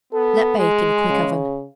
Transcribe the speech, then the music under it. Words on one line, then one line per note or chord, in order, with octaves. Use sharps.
Let bake in a quick oven.
B3 A4
G#3 G#4
C#3